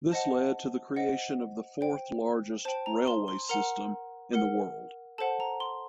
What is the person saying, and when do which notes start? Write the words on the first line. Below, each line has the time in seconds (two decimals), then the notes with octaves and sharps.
This led to the creation of the fourth largest railway system in the world.
0.12 C5 D#5 F#5 A5
0.96 C5 D#5 F#5
1.81 C5 G5
2.65 C5 A5
2.68 G5
2.86 A#5
3.08 C6
3.28 C6
3.49 A#4 F#5 A#5
4.33 A#4 F#5
5.18 A4 C5 F#5 A5
5.40 A#5
5.60 C6